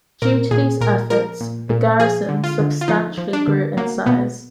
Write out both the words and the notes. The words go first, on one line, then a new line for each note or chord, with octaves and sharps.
Due to these efforts, the garrison substantially grew in size.
A#2 A#4
A#2 G#4
A#2 A#4
F3 A#4
A#2
A#2
F3 G#4
D3
F4
D3
F4
F3 D#4
F3
D4
D3
F#3 A#3
B2 B3